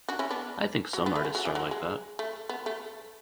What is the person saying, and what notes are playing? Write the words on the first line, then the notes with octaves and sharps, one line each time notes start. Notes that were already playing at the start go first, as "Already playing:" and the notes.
I think some artists are like that.
D4 F#4
C#4 E4
B3 D4
F#3
B3
A3
G#3
F#3
E3
F#3
G#3
A3
B3
A3